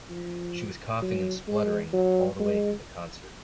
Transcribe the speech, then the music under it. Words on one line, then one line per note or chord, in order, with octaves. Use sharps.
She was coughing and spluttering all the way through the concert.
F3
F#3
G#3
F#3
G#3